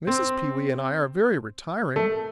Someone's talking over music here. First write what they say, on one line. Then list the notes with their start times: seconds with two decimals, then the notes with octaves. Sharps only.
Mrs. Pewee and I are very retiring.
0.07 C4
1.96 A3